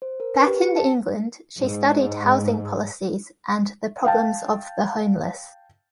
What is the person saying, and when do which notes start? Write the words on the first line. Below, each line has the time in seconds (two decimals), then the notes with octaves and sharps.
Back in England, she studied housing policies and the problems of the homeless.
0.02 C5
0.20 A#4
0.36 B4
0.47 G4
0.61 C#7
0.76 A5
1.59 G#2
4.05 F5 G5 A5